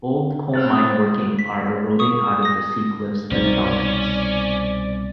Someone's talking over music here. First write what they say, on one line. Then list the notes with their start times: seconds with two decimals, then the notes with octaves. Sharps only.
Old coal mine working are eroding out of the sea-cliffs at Joggins.
0.53 G2 C4 F6 F#6 A6
0.73 D#6
1.39 B6
1.99 C#6 D#6
2.43 D#6 A#6
3.31 C2 B2 C4 C#4 D#4 D5